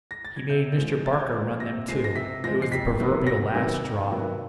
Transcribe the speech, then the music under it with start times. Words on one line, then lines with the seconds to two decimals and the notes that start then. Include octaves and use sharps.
He made Mr. Barker run them too--it was the proverbial last straw.
0.11 A#6
0.25 A6
0.36 G#6
0.50 C3 G6
0.78 F3 G#3 C4
1.05 C3 A6
1.13 G#6
1.19 G6
1.27 G#6
1.34 F3 G#3 C4
1.60 C3 A#6
1.88 F3 G#3 C4 C7
2.04 A#6
2.15 C3 B6
2.44 F3 G#3 C4 A#6
2.62 C7
2.71 F2 B6
3.00 C3 D#3 F#3 B3
3.27 F2 A#6
3.54 C3 D#3 F#3 B3
3.83 F2
4.10 C3 D#3 F#3 B3